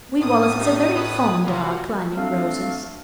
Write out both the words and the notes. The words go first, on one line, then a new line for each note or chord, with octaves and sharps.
We Wallaces are very fond of our climbing roses.
A2 D#6
C#4 D#4 G4 A#4
B4 C#5 D5
C3 F4 F#4 A#4 F5
A3 C4 D4 F5